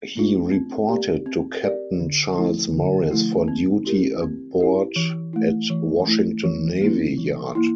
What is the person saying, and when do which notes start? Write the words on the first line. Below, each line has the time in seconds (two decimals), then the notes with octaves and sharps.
He reported to Captain Charles Morris for duty aboard at Washington Navy Yard.
0.15 A3 D4 F4
0.51 C4
0.89 G4 A#4 D5
1.26 C4
1.63 G4 A#4 D5
2.00 D3
2.37 F3 A3 E4
2.74 D3
3.11 F3 A3 E4
3.48 C4
3.85 E4 G4 A#4
4.22 C4
4.59 E4 G4 A#4
4.96 E3
5.33 A3 E4
5.70 E3
6.07 A3 E4
6.44 E3
6.81 A#3 E4
7.18 E3
7.55 A#3 E4